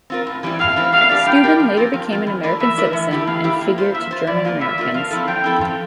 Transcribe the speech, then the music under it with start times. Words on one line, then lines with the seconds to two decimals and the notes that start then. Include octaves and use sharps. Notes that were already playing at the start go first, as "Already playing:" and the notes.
Steuben later became an American citizen and figure to German Americans.
0.10 C4 F4 A#4
0.27 A2
0.43 E3 G3 C4 E4
0.59 A2 F5
0.76 E3 G3 C4 E4
0.92 G3 F5
1.09 D4 G4 A#4 D5
1.26 G3 G5
1.43 D4 G4 A#4 D5
1.60 F3
1.77 C4 F4 A#4
1.94 F3
2.10 C4 F4 A#4
2.27 E3
2.43 A3 E4 A#4 D5
2.60 E3 E5
2.77 A3 E4 A#4 D5
2.93 E3
3.11 A3 E4 G4
3.27 E3 F5
3.44 A3 E4 G4
3.61 A#3
3.78 F4 C5
3.94 A#3 E5
4.11 F4 C5
4.27 E3 D5
4.45 A#3 F4 A#4
4.61 E3 E5
4.78 A#3 F4 A#4
4.94 F3 F5
5.11 C4 E4 A4
5.28 F3 G5
5.44 C4 E4 A4
5.61 F3